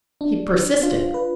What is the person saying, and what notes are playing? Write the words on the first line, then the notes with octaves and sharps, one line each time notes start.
He persisted.
D4
F4
B4